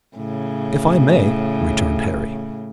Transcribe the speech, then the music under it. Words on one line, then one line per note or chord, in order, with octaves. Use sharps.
"If I may," returned Harry.
A2 C#3